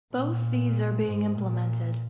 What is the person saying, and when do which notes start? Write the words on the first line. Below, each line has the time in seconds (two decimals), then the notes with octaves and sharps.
Both these are being implemented.
0.13 A#2
1.05 G#2
1.34 A#2